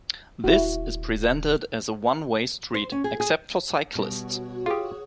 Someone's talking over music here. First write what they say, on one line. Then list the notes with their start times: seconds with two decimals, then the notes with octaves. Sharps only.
This is presented as a 'one-way street, except for cyclists'.
0.44 D#1 E4 F#4
2.74 C5
2.92 C#4
3.04 G#4
3.20 G#4
3.95 B2 G3 F#4 C#5
4.66 F4 G4 G#4 B4 D#6